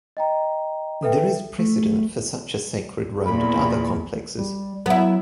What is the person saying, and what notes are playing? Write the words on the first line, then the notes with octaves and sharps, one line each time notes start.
There is precedent for such a sacred road at other complexes.
D#5 G5 A#5
A4 B4 E5 G5
A3
E2 A#2 B5
G3
F#3 B3 E4